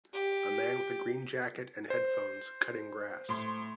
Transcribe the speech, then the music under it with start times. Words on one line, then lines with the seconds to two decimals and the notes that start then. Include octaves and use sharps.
A man with a green jacket and headphones cutting grass.
0.13 G4
1.90 C5
3.29 A2 C6